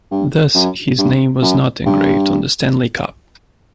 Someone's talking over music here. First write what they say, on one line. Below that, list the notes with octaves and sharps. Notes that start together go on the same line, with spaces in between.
Thus, his name was not engraved on the Stanley Cup.
G2
F#2
G2
F#2
G2